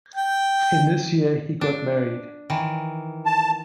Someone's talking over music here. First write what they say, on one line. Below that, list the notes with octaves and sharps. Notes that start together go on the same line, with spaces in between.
In this year, he got married.
G5
D4
D#3 E3
A5